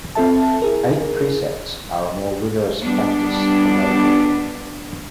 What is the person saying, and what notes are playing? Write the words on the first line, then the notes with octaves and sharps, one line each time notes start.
Eight Precepts are a more rigorous practice for laypeople.
C4 F4 A4 E5 A5
E4 G#4 A#4
G3 B3 D4